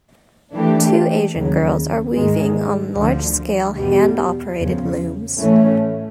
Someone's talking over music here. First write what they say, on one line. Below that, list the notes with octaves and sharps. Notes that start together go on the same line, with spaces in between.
Two Asian girls are weaving on large scale handoperated looms.
E3 A3 D4 G4
D#2 C#3 F#3
G#2 D#3 G#3
D2 D3 F3
E2 B2 G3
E2 C#3 F3
A2 E3 A3 C#4